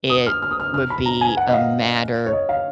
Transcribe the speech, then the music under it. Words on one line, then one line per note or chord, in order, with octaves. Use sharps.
it would be a matter
D#6
F6
F6
D#6
F6
F6
B5
A#5
G#5
F#5
D#5
F5
C#5
D#5
F5